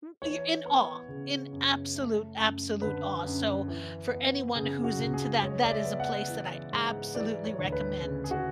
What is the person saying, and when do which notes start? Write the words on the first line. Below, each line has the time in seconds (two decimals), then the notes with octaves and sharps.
W you're in awe, in absolute, absolute awe, so for anyone who's into that that is a place that I absolutely recommend
0.22 E3 C#5
0.65 B3
1.08 C#3
1.53 F#2
1.96 A3
2.39 F#2
2.82 D3 B4
3.26 F#2
3.68 E3
4.12 B3
4.55 C#3 G#4
4.84 F#4
4.99 C#2
5.14 G#4
5.42 G#3 C#5
5.64 D5
5.71 E5
5.85 B3
6.00 F#5
6.28 E3
6.72 G#2
7.15 E3 D5
7.45 C#5
7.59 D2
7.72 B4
8.02 C#3
8.24 G#4
8.31 F#4